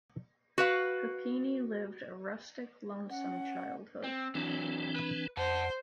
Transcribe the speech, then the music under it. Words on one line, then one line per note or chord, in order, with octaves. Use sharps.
Papini lived a rustic, lonesome childhood.
F#4 B4 F5
C#4 F#5
C4
E2 E3 F#3 C4 D4
B4
F2 C5 F#5 A5